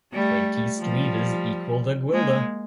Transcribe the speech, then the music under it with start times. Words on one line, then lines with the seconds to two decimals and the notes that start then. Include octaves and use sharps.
Twenty stuivers equalled a guilder.
0.13 G3 A3
0.79 F3 G3
2.13 G#3 A#3